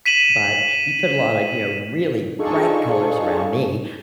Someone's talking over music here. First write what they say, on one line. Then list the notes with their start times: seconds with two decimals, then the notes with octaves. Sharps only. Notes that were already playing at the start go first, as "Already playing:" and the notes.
but you put a lot of, you know, really bright colors around me,
0.06 B6 D#7 E7 F#7
2.39 D4 D#4 F4 G#4 A4 C#6